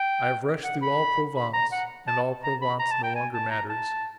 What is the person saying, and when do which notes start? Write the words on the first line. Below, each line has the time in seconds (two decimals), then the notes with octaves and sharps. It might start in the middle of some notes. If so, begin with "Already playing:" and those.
I have rushed through all Provence--and all Provence no longer matters.
Already playing: G5
0.64 F#5
0.82 B5
1.35 B5
1.53 A#5
1.72 F#5
2.07 A5
2.43 A#5
2.61 B5
2.79 A#5
2.91 A5
3.03 G5
3.15 G#5
3.34 A5
3.51 A#5
3.69 A5